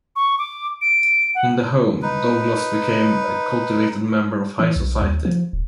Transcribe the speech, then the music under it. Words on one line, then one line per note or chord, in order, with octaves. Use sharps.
In the home, Douglass became a cultivated member of high society.
C#6
D6
D7
F#5
D#4 B4
E3
B1
D#2
F3
D1